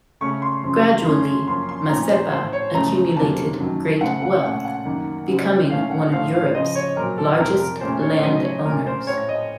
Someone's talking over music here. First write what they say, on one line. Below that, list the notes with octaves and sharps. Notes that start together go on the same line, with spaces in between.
Gradually, Mazepa accumulated great wealth, becoming one of Europe's largest land owners.
C#3 A3 C#4 C#6
C6
F#2 C#3 F3
F#2 C#3 A3 C#4 C6
F#2 F3 A#3 C#4 C6
C6
A#2 F3 A3 C#4 A#5
C5
A2 A3 C4 C5
C#5
F#2 C#3 F3 A3 A#5
F2 C3 F#3 A#3 C#4 A5
F#2 D#3 F#3
C#3 A3 C4 F#5
F#5
A#2 A3 C#4 F#5
F#5
F#2 D#3 A#3
C#3 F#3 C4
A#2 A3 C#4 F5
F#5
A2 F3 A3 C4 F5
F5
C#3 F3 C4 D#5
C#5
A#2 F#3 C4 A#4
A4
F2 C3 F3 A#4
A#4
A#2 A3 C#4 C5
C#5
C#3 F#3 A3 C4 D#5
C#5
A#2 A3 C#4 A#4
C5
A2 A3 C4 C#5
D#5